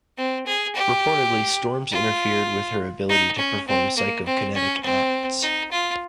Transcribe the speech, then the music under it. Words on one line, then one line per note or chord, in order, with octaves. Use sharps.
Reportedly, storms interfered with her ability to perform psychokinetic acts.
C4
G#4
G4
F4
D#4
C#4
C4
A#3
C4
C#4
C4
D#4
F4